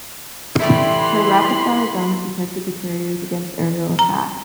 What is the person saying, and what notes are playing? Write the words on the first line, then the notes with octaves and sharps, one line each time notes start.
Her rapid-fire guns protected the carriers against aerial attack.
E3 G3 A3 E4 B5 C6
A#5